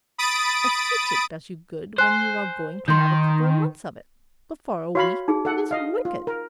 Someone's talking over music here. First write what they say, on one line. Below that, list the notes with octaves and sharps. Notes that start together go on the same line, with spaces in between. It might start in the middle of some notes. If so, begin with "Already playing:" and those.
A sea trip does you good when you are going to have a couple of months of it, but, for a week, it is wicked.
B5 D#6 A6 D7
C5 G#5 F#6
D#3 C6 G6
F#4 C#5 F5 B5
D#4 G#4
A4 F#5
D#5 F5
F4
A#4